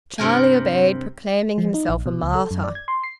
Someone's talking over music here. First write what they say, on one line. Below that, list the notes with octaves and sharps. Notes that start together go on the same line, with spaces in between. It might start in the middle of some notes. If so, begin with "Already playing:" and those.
Charlie obeyed, proclaiming himself a martyr.
G2 C3 A#4 G#5
F3
D#4
A#1
B2
C#2
A4
F#2
D5
G#6
C6
C7